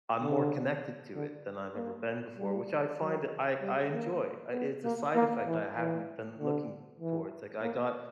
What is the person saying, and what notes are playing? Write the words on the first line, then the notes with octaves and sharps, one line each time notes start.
I'm more connected to it than I've ever been before, which I find I I enjoy. I it's a side effect I haven't been looking towards. Like, I got
D3
D3
A#3
G3
F#3
G3
A#3
B3
A#3
A#3
E3
E3
D3
E3
A#3